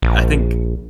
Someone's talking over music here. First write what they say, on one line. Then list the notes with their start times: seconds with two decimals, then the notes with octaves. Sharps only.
I think
0.02 A#1